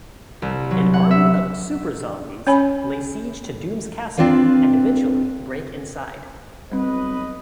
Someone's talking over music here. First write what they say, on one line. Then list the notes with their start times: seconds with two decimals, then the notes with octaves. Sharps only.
An army of super-zombies lay siege to Doom's castle and eventually break inside.
0.42 C2
0.71 F#3
0.94 F#5
1.11 E5
2.47 C#4 C#5 G#5 B5
4.17 C4 D4 F4 B4 F5
6.72 B1 G3 C4 B4 D#5